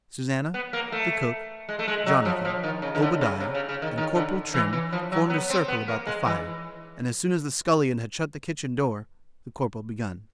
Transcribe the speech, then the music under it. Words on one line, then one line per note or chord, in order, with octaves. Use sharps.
Susannah, the cook, Jonathan, Obadiah, and corporal Trim, formed a circle about the fire; and as soon as the scullion had shut the kitchen door,--the corporal begun.
B3
A#3
A3
G#3
A3
G#3
F#3
F3
F3
D#3
C#3
D#3
D3
C#3
C3
C#3
C#3
D#3
D#3
D3
E3
E3
F3
F#3
B3
C4
B3
A#3
G#3
E3